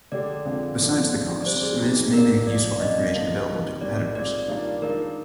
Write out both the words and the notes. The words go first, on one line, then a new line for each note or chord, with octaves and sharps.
Besides the cost, this may make useful information available to competitors.
D3 G#3 D4 G4 D5
F2 D3 G#3 C4 F4
G2 D3 F3 C4 D#4 D5
F3 G#3 C4
D5
C3 G3 C4 C5
G#4
F2 C3 G3 C4 D#4
C3 D#3 G3 D4 F4 A#4
C3 F3 C4 D5
D5
F2 C3 F3 D#5
D3 F3 A#3
C3 D#3 G3
D#3 G3 C4 D5
A#2 G#3 C4 D5
D#3 G3 A#3 D4 F4
D#3 G#3 D4 F4 A#4